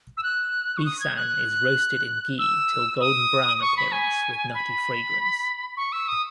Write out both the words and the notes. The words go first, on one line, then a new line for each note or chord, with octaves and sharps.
Besan is roasted in ghee till golden brown appearance with nutty fragrance.
E6
F#6
C#6
D#6
G#6
F#6
E6
D#6
D#6
C#6
B5
G#5
B5
C#6
E6
D#6